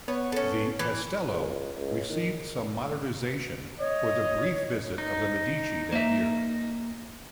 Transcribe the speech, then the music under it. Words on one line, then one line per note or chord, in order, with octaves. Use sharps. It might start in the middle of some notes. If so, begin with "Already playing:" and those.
The "castello" received some modernization for the brief visit of the Medici that year.
B3 C#5
C#4 A4
E3
C#2
C#2
D#3
C#5 D#5
D#4
A#3 E5